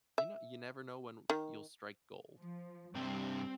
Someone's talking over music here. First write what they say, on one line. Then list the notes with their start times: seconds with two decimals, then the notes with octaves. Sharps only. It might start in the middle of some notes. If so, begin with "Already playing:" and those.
you kno you never know when r you'll strike gold.
0.18 E5
1.30 D#3
2.39 F3
2.95 G2 C3 G3 C4 G5